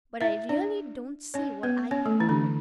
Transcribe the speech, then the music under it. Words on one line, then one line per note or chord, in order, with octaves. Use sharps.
But I really don't see what I could do.
E4 E5
D4 D5
C#4 C#5
B3 B4
C#4 C#5
A3 A4
E3 E4
D3 D4